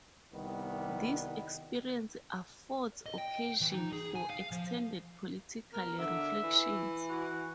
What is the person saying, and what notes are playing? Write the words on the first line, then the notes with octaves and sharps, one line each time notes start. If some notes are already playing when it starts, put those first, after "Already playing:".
This experience affords occasion for extended political reflections.
C2 D#3 G3 B3
D#5
G5
E3
D#4
G#4
G#5
F5
F3
B2 A#4
D3 E5
E3
F#4